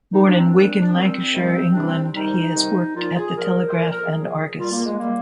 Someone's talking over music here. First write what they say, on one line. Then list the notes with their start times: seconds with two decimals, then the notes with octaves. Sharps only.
Born in Wigan, Lancashire, England, he has worked at the Telegraph and Argus.
0.12 A#2 F3 D#4
0.25 D4
0.37 C4
0.50 A#2 G3 D4
0.82 D4
0.93 A#2 G3 C4
1.34 C3 D#3 G3
1.74 C3 D#3 G3 D4
1.87 C4
2.14 C3 D#3 G3 D#4
2.55 C3 D#3 G3
2.96 A#2 F3 F4
3.16 G#4
3.36 A#2 F3 A#4
3.68 C5
3.77 A#2 F3 A#4
3.90 A#4
4.04 G#4
4.17 A#2 F3
4.58 A#2 G3 F4
4.72 A#3
4.85 G#3
4.98 A#2 G3 A#3